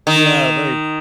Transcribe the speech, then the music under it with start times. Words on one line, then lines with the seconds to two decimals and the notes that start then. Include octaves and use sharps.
Yeah, they
0.07 D#3